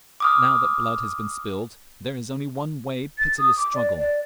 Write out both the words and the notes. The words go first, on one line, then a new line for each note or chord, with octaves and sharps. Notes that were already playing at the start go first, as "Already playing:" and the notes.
But now that blood has been spilled there is only one way--pitiless struggle.
D6 D#6 F6
A6
D#6
D6
D5
D5